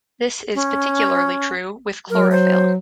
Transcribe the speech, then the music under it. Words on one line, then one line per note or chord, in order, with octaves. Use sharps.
This is particularly true with "Chlorophylle".
C#4
F#3 A#4
C5